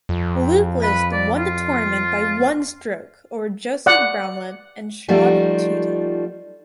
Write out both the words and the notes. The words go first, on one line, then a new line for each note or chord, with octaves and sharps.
Luke List won the tournament by one stroke over Joseph Bramlett and Shad Tuten.
F2
B4
D5
F4
D5 F#5
F3 G3 A3 D#4 F4 F#4